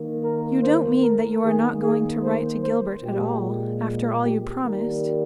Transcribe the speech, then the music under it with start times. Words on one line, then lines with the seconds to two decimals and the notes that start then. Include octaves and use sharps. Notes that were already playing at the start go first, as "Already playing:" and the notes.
"You don't mean that you are not going to write to Gilbert at all--after all you promised?"
Already playing: D#3 A#3
0.23 A#4
0.63 C5
1.03 A#4
1.42 D#3 A#3 G#4
1.83 G#4
2.23 C5
2.63 C5
3.03 A#2 G#3 G4
4.23 G4
4.64 D#3 G3 A#3 A#4